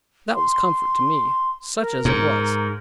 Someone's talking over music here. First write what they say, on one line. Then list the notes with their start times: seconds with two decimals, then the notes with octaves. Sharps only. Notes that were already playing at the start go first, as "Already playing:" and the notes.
That was comfort to me, such as it was.
0.34 C6
1.80 A#4
2.05 G#2